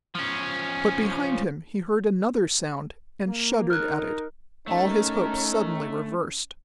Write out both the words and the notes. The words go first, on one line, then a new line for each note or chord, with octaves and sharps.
But behind him he heard another sound, and shuddered at it, all his hopes suddenly reversed.
F3 C#4
A#3
D#4 A#4 F6 F#6
A3 C#4 D#4 A#4